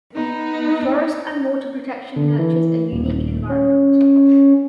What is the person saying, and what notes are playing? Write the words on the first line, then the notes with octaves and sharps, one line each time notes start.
The forest and water protection nurtures a unique environment.
B3 D#4
D3
E3
D#1
C#4